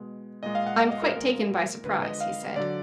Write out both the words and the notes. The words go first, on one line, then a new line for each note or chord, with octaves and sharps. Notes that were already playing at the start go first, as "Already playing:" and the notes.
"I'm quite taken by surprise," he said.
Already playing: B2 G#3
A#2 G#3 D#5
F5
F#5
F5
D#5
A#4
A#2 F3 G#3 A#4
D3 F3 G#3 B4
D#5
F5
D3 F#3 D5